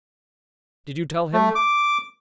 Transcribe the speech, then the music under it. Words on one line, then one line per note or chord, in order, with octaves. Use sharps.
Did you tell him?
A3
D6